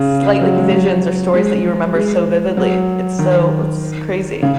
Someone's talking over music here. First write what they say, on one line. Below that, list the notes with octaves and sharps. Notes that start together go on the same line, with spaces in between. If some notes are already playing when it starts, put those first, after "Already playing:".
slight, like, visions or stories that you remember so vividly. It's so it's crazy.
Already playing: C#3
F#3
G#3
F#3
G#3
G#3
F#3
D#3
C#3